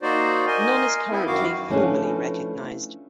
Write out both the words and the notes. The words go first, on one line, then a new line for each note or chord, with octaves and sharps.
None is currently formally recognized.
A#3 D#4 F#4 C5 D5
A#4 D#5 G#5 C6
B3 C4 E4
F#2 D#3 F#4 F5 D6
F3 A3 C#4 D4 E4 B4